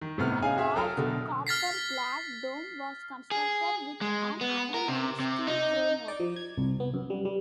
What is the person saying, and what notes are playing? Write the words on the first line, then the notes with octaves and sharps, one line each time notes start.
The large copper-clad dome was constructed with an iron and steel framework.
D#3
A2 C3 B3 F6
C#4 D#4 G#4 F5 G#5
F#4 G#4 E5
F#3 A4 G5 A#5 D#6 F6
B2 D3
F6 A6 B6 C7
G#4
G#3
B3
A#4
C3
C3
D#4
D5
F3
G#6
C2
B3
F#2
G3
G3